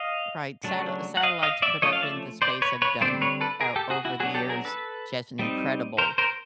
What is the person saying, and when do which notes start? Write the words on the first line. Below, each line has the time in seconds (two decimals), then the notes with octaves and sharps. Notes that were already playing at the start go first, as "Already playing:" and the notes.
Right. Sate Satellites put up in the space have done o over the years just an incredible
Already playing: D#5 F5
0.64 C#3 F#3 A3 D4
1.17 F#5
1.23 D#5 F5
1.43 D#5 F5
1.62 D5 E5
1.82 F3 A3 C#4 C#5 D#5
1.93 F5
2.02 D5 E5
2.42 C5 D5
2.62 B4 C#5
2.82 B4 C#5
3.01 D3 G3 C4 C5 D5
3.21 B4 C#5
3.41 A4 B4
3.61 G#4 A#4
3.76 G4 A4
3.90 F#4 G#4
4.05 E4 F#4
4.20 F#3 B3 D4 F#4 G#4
4.35 G4 A4
4.49 G#4 A#4
4.65 A4 B4
5.39 G3 C4 D#4
5.98 A#4 C5
6.18 A#4 C5